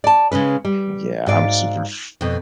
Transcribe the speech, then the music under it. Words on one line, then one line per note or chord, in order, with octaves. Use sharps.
yeah, I'm super f
D5 A5
C#3 G#3 C#4 B4
G3
G#2 F#4 D5 F5
F2 B2